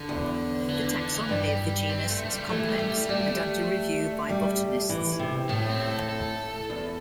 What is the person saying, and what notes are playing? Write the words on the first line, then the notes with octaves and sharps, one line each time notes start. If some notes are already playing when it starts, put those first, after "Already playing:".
The taxonomy of the genus is complex, and under review by botanists.
Already playing: D3
E2
E3
D3
D3
E3
G2 G3
C4
A3
A3
G3
D3
E3 A3
G3
A3
G3
G3 A3
G3
E3
C3
A2 A3
C4
A4
A4
E2